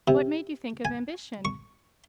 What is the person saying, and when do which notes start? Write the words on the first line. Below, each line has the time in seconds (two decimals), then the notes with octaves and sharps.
What made you think of ambition?
0.08 C3
0.85 G#5
1.45 C#6